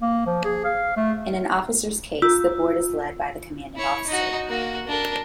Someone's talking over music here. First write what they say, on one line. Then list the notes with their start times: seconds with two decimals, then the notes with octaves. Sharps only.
In an officer's case, the board is led by the commanding officer.
0.02 A#3
0.26 F3
0.45 G#4
0.65 F5
0.96 A3
2.22 F4 E6
3.76 E4 C#5
4.07 D#4 F#4
4.49 A#3 F#4
4.87 D4 A#4